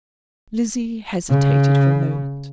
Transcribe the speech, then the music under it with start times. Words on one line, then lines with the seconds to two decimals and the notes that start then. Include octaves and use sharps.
Lizzie hesitated for a moment.
1.30 C#3